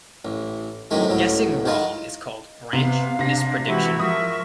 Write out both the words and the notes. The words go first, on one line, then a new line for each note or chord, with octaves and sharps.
Guessing wrong is called branch misprediction.
A1
F#2 A2 C3 D#3 G#3
C#2 A2 F#3
D#3 G#3 F4
C3 B3 F5
C3 D4 A#6
E3 G#3 E4 F#4 G4 B5
F3 A#4 E5 C#6 D#6